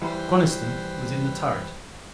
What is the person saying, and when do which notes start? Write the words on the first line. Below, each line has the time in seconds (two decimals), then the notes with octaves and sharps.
Coniston was in the turret.
0.02 E3 G3 B4 C5 G5